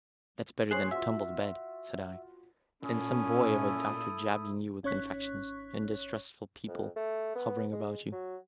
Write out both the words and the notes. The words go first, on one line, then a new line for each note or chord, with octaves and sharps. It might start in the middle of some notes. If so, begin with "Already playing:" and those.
"That's better than a tumbled bed," said I, "and some boy of a doctor jabbing you with injections, and distressful people hovering about you."
G#4 C5 C#5 F#6 C7
F4 F#4 E5
A#2 A3 C#4 E4 D#6
G#1 C#4 C#5 C#6 F#6 B6
F2
A3
B3
G#3
F#3